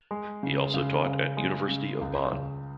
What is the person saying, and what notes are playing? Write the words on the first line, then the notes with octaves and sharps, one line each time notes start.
He also taught at University of Bonn.
G#3
C#3
C#3
C#3
G#3
C#3
C#2
C#2